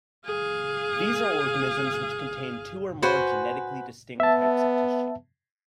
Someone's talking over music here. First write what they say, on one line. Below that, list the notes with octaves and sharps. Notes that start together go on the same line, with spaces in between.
These are organisms which contain two or more genetically distinct types of tissue.
G#4 F5
F#4 B4 C5 G#5
B3 E5 A5